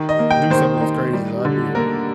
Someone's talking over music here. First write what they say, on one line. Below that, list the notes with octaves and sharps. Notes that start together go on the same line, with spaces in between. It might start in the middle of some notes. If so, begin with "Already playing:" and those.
do something as crazy as I did,
Already playing: D#3
D#5
A#3
G5
D#3 C5
D#4
G3
D3
A#3 A#4